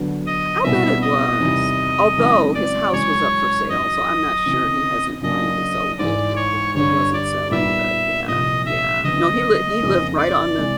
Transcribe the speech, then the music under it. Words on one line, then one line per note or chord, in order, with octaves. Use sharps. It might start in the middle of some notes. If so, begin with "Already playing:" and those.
I bet it was, although his house was up for sale, so I'm not sure he hasn't finally sold it it it wasn't selling, but yeah, yeah, no, he lived he lived right on the
Already playing: D3 F#3 B3
D#5
B2 G3 C4 E4 E5
D#5
E2 C3 D#3 G3
F#2 C#3 E3 G#3 C4
D5
F#2 C#3 E3 G#3 C#5
F#2 D#3 F#3 D#5
C#3 E3 A3 C4
C#3 F#3 A#3 D4 D#5
G#2 E3 G#3 D5
C#5
G2 D3 G3 C#5
D5
A#2 G3 B3 D#4 E5
C2 A#2 F3 D#5
E5
D2 C#3 F#3 B3 D#5
F2 C#3 F3 A#3 D#4
D5
C3 E3 G#3